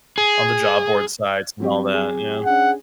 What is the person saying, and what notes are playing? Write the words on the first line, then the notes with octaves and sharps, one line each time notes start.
On the job board sites and all that, yeah.
G#4
F#3 C4 G4
G#4
C#4 D4 F#5